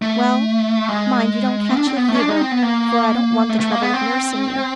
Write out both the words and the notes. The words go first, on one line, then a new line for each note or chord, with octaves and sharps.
'Well, mind you don't catch the fever: for I don't want the trouble of nursing you.'
A3
G#3
D4
C4
B3
A3
C#4
D4
D#4
C4
B3
A#3
A3
A3
A#3
B3
C4